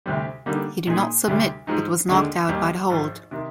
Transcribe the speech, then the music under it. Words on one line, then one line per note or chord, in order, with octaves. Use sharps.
He did not submit, but was knocked-out by the hold.
D2 C3 G3 C4
D3 G3 A#3 D#4
A#2 G#3 D#4 G#4
D2 C3 G3
G#2 F3 G#3 D#4
D#2 D3 G#3 D4
D#2 D#3 G3
G#1 G#2 F3
C3 D#3